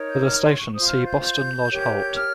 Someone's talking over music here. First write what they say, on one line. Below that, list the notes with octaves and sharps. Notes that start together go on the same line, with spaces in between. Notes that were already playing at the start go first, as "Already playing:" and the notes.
For the station see Boston Lodge Halt.
Already playing: D#4 A#4 C#5
G6
F6
C6
C#6
F4 C5 D#6
F6
G6
G6
G4 A#4 C#5
F6